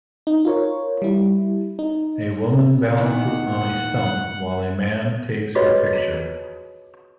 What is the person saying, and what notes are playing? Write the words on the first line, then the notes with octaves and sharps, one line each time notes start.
A woman balances on a stump while a man takes her picture.
D#4
F4 A#4 C#5
G3 E4
D#4
E2 A#2 D#3 F#5
F4 F#4 G#4 B4 C#5 D#5